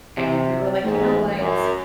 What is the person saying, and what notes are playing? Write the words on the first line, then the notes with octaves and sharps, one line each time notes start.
and we were like, "You know what?
C3
A1 G#2 A3
F#2